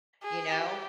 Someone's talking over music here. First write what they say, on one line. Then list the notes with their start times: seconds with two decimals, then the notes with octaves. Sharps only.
you know?
0.23 G#4
0.52 G4